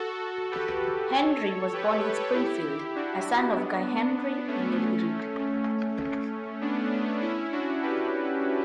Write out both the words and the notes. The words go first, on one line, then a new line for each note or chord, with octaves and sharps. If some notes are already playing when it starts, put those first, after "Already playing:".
Henry was born in Springfield, a son of Guy Henry and Nellie Reed.
Already playing: F#4 A4
G4 B4
A4 C#5
G4 B4
E4 G4
D4 F#4
B3 D4
B3
A3 C#4
A3 C#4
B3 D4
C#4 E4
D4 F#4
G4 B4